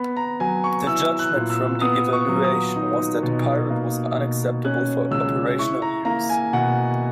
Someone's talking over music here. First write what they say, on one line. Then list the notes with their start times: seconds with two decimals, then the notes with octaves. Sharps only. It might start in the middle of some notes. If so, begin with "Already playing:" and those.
The judgment from the evaluation was that the Pirate was unacceptable for operational use.
Already playing: B3 B5
0.17 A#5
0.40 F#3 G#5
0.64 C#6
0.87 E4 E6
1.19 F#6
1.35 A#2
1.50 E6
1.82 B3 D#6
2.13 C#6
2.28 F#3
2.44 D#6
2.76 D#4
3.23 B2
3.70 A#3
4.17 B2
4.65 C#4 F#6
5.11 C#2 E6
5.59 E4 C#6
5.82 A#5
6.05 A#3 A#5
6.29 G#5
6.53 B2 F#5